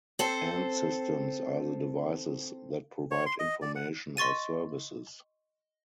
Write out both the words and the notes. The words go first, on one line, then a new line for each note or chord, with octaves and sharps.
End systems are the devices that provide information or services.
C4 A4 C5
C#5
C6
D#5
D5
F#5
D#5 C6 C#6 A6 D#7